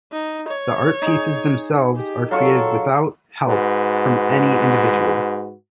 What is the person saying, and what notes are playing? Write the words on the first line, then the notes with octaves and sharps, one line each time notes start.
The art pieces themselves are created without help from any individual.
D#4
C#5
D#4 G#4
G4
F#3 F4 A4 C#6
G#2 F#4 B4